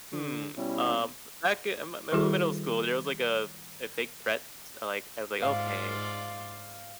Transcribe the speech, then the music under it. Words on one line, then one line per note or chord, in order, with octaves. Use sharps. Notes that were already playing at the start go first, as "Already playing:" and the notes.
Hmm." Um, b back in m m m-middle school, there was, like, a a fake threat it's like I was, like, "Okay."
D3
B2 G3 C#4 E4
D#3 G3 E4 F#4 G#4 A4
G#2 F4 D5 F5